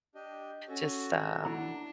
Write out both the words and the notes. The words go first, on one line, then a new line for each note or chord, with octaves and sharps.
just, um,
D4 G4 D#5
C#4 F#4 A4
D4 E4 F#5 A#5